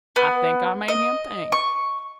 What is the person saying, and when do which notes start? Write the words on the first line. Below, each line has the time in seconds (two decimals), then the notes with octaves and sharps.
I think I made him think.
0.16 B3
0.88 D#5
1.52 C#6